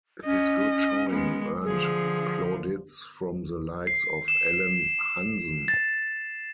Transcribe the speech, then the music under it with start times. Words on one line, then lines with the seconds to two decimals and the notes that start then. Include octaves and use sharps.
His good showing earned plaudits from the likes of Alan Hansen.
0.25 C#4 D#5
1.09 G#3 B3
1.64 D3 F3 G#4
3.87 C7
4.28 E7
5.68 A6